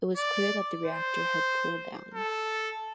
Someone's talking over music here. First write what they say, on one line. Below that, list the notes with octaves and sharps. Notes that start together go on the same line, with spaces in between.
It was clear that the reactor had cool down.
D5
C5
A4